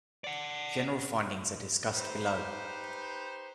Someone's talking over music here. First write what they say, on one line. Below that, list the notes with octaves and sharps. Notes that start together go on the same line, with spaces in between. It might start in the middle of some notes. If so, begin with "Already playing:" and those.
General findings are discussed below.
D5 F#5
D#4 G4 B4 C5